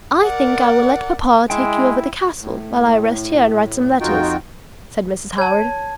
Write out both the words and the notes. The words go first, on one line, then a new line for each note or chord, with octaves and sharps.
"I think I will let papa take you over the castle, while I rest here and write some letters," said Mrs. Howard.
A#4 D5 F#5
G#3 E4 G5
A2
F2 D#4 F4 F#4 G5
C#5 A5 G#6